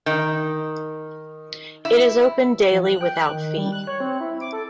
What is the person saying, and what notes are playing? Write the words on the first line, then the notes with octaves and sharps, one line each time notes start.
It is open daily without fee.
D#3
E4
F3
F#6
G5
F#6
D#3
G3
F#6
C#5
C4
E4
D6
A4